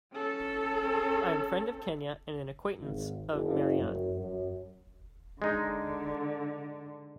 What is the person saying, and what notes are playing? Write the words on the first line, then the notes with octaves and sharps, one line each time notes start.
I am friend of Kenya and an acquaintance of Marianne.
C#4 A4
G#1
F#1
F#2
F#2
D3 G#3 D#4